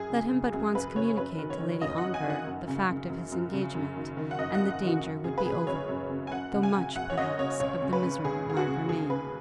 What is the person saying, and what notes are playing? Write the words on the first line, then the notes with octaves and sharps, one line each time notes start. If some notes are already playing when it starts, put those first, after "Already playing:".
Let him but once communicate to Lady Ongar the fact of his engagement, and the danger would be over, though much, perhaps, of the misery might remain.
Already playing: F#2 G#4
C#3
C#3
F#2 G#4
F#2 B4
C#3 C#5
F#2 B4
D#3
C#5
D#3
F#2 D#5
F#2 F#5
G#5
D#3
F#5
F#2
C#3
C#3
F#2
F#2
C#3
F#2
D#3
D#3
F#5
F#2 D#5
F#5
F#2
F#5
D#3 F#4
F#2
C#3 G#4
B4
C#3 G#4
F#2 C#5
F#2
C#3
G#5
F#2 F#5
C#3
G#5
C#3
F#2 F#5
C#5
F#2 D#5
C#3 C#5
C#2 C#5
C#3
B4
C#3
C#2 G#4
C#2 G#4
F#4
C#3
D#2 G#4
C#3 B4